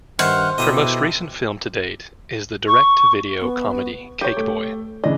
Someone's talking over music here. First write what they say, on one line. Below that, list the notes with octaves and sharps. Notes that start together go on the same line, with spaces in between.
Her most recent film to date is the direct-to-video comedy "Cake Boy".
G2 D#3 C5 E5 F#5 C#6 F6
B2 E4 G4 A4 D#5 E5 D#6
C#6
B3
G4 C#5
A3
C#3 E3 D4 D#5